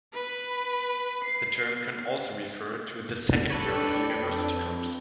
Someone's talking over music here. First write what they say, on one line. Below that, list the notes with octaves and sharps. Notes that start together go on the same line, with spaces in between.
The term can also refer to the second year of a university course.
B4
C7
D4 A4 B4 C#5 D5 G5
F2